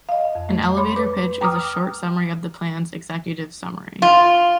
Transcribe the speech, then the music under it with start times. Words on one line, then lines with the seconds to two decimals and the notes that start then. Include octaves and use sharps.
An "elevator pitch" is a short summary of the plan's executive summary.
0.09 D#5 F5
0.35 F2
0.49 A3
0.77 C#5 B5 C6 D6
0.96 B4 D6
1.41 G5 A#5 D6 D#6 F6
4.02 F4